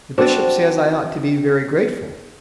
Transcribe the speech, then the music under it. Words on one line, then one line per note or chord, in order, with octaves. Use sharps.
The Bishop says I ought to be very grateful.
C4 D4 F#4 A4